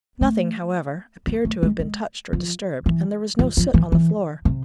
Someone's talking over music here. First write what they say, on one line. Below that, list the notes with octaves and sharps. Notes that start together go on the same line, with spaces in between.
Nothing, however, appeared to have been touched or disturbed, and there was no soot on the floor.
A3
B3
A3
G#3
G#3
F3
E3
F3
F3
E3
E3
C3